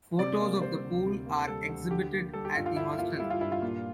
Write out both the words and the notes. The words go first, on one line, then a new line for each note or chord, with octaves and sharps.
Photos of the pool are exhibited at the hostel.
C3 D5
A#3
G3 C5
D2
C3
A#3
G3 A4
D2
D3 G4
A#3
G3 A4
G4
G2 F4
F4
D3 E4
A#3 F4
G3 E4
F4
G2 E4
F4
A#2